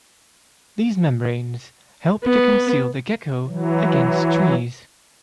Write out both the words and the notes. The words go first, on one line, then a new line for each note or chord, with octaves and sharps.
These membranes help to conceal the gecko against trees.
B3
E3 F#3